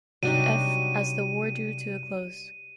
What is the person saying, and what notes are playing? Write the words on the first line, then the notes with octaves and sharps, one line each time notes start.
F as the war drew to a close.
C3 F#3 G3 D4 D#4 F#4 G4 D#7